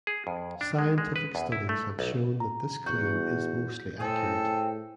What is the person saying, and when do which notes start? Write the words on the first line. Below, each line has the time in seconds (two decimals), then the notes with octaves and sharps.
Scientific studies have shown that this claim is mostly accurate.
0.07 G#4
0.27 F2
0.61 D4
0.79 G#3
0.98 G#3
1.16 B4
1.35 E2
1.52 E4
1.69 A3
1.99 B1
2.40 A#5
2.86 E2 F#4 G6
4.00 A2 C4 G#4 A4